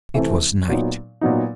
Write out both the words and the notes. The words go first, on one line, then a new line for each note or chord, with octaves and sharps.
It was night.
C3 E3 A3 C4 E4
A#2 F#3 B3 D#4
A#2 F#3 B3 D#4